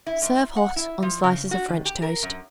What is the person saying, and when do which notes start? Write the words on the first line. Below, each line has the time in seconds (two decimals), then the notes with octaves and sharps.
Serve hot on slices of French toast.
0.07 E4
0.22 G#2
0.56 F#5
0.76 E4
1.02 F3
1.24 C#3
1.51 F#4
1.68 D#3
1.85 G4
2.02 A#4
2.23 F#2